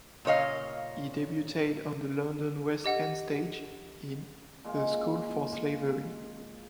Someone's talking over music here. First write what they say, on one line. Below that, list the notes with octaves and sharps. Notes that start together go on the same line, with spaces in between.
He debuted on the London West End stage in "The School for Slavery".
A#2 C#3 C#5 D#5 F5
G4 D#5 F#5
A#2 G#3 F4 F5